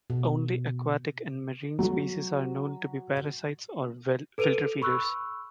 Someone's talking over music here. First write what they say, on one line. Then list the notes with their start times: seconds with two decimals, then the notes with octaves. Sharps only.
Only aquatic and marine species are known to be parasites or filter feeders.
0.10 B2
1.79 F#3 F#4
4.38 A4 B4 D7 D#7 F7
4.82 B5 C#6 E6 F#6